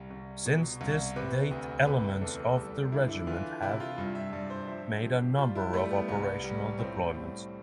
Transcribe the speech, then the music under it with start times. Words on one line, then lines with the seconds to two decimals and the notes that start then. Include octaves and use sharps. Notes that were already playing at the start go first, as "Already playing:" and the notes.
Since this date elements of the regiment have made a number of operational deployments.
Already playing: C2 G3
0.11 C2
0.46 B2
0.81 C2
1.16 C3 B4
1.51 D2
1.86 C3 B4
2.21 E2 A4
2.56 G3 A4
2.92 D3 E4
3.09 E4
3.27 E3 F4
3.62 C3 E4
3.80 F4
3.98 G2
4.15 E5
4.33 G2 D5
4.50 C5
4.68 F3 E5
5.03 F3 G4
5.38 G3 F4
5.55 E4
5.73 G3 A3
5.91 B3
6.08 C2 B3
6.44 G3
6.79 A2 C4
7.14 G3